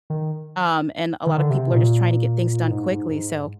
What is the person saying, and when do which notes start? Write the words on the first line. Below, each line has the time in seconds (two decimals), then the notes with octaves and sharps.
Um, and a lot of people are just trying to get things done quickly. So
0.10 D#3
1.27 D#3
1.38 D3
1.50 C3
1.71 A#2
2.71 G#2
2.91 G#2
3.11 G#2